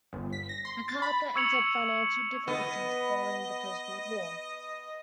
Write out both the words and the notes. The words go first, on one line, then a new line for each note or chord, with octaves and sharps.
McArthur entered financial difficulties following the First World War.
G1
B6
A#6
C6
A6
B5
C#6 E6 G#6 C#7 F7 F#7
B3 D#5